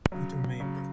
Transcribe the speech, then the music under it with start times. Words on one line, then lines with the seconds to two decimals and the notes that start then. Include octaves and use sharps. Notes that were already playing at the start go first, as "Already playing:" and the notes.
Peter Meienberg.
0.12 C#3 F#3
0.60 C#3 F#3